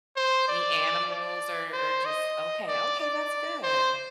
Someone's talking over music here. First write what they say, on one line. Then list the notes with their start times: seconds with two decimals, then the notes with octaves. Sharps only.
any animals? Or or just Okay, okay, that's good.
0.17 C5
0.48 D5
1.11 D5
1.73 C5
2.05 D#5
2.68 D5
3.00 D5
3.63 C5